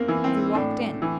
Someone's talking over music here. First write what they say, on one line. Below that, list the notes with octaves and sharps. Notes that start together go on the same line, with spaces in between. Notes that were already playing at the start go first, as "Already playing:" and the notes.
Have you walked in!...
Already playing: E2 A#3 C4
E3
C4
A2 D4
E3